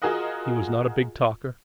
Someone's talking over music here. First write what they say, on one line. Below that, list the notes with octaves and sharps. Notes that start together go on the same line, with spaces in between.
He was not a big talker.
F4 F#4 G#4 A#4 D#5 F#5